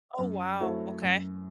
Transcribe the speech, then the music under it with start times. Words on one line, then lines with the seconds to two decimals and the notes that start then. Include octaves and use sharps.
Oh, wow. Okay.
0.19 F#2
0.61 F#3 A3 C4 E4
1.02 F#2